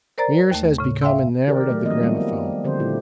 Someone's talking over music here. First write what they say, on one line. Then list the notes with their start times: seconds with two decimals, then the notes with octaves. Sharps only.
Meares has become enamoured of the gramophone.
0.18 A#4 C5 D5 A#5 A6
0.51 D#2 A3
0.78 A2 C#3
1.02 E5 F5 G5 C6 E6
1.47 D#3 G4 A#4 D5
1.70 F#3 A3
1.85 D#3 F3 A3 A#3 C4 D#5
2.03 D#3 G3 A#3 B3
2.64 D3 F3 C4 G4 C5
2.80 A#2 A3 E4 G4